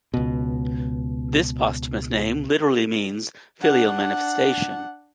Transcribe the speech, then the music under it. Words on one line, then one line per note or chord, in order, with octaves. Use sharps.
This posthumous name literally means "filial manifestation".
C#2 B2
D4 F#5